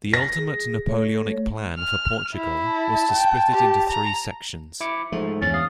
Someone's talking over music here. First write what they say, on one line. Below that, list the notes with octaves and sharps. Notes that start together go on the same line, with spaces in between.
The ultimate Napoleonic plan for Portugal was to split it into three sections.
A#6
G#4
A3 C#5
F6
E4
A5
G5
G4
A#5
E4 D6 C#7
G#2 F3 A3
E2 G2 C#4 A6
F5 D#6